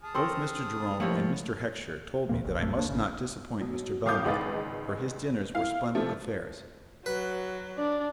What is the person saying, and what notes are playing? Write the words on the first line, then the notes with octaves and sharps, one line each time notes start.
Both Mr. Jerome and Mr. Hecksher told me that I must not disappoint Mr. Belmont, for his dinners were splendid affairs.
G#4 A5 F6
C4 G4 A4 A#4 C6 C#6
C3 F3 A3 A#3 E4 F4 C#5 F#5
D2 A#2 A#3
F1 C#2
F1 A#1 F#2 A3
D2 A#3 D4
G#1 C#3
B2 F#3
F#1 A2 F5 D6 D#6 G6
G#1 C#2 G#3 D#4 B4 A6
E4 F5
C3 F3 A3
F#3 B4
D4 D5